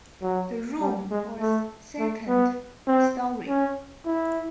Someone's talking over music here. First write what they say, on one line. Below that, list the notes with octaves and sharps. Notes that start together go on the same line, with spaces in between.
The room was second storey.
F#3
G3
G#3
A3
A3
B3
C4
C#4
E4